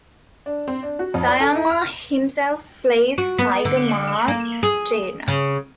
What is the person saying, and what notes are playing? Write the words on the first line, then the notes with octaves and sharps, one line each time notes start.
Sayama himself plays Tiger Mask's trainer.
D4
C4
D4
F#4
F2
D5
A4
E4
F6
F#4
B3
D3
A#3
G#4
C#3